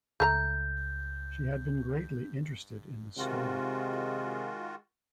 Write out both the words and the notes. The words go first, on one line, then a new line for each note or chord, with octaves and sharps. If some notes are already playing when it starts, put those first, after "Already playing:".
She had been greatly interested in the story.
C#2 A3 A#4 A#5 G6
C3 D#3 G#3 F4 F#4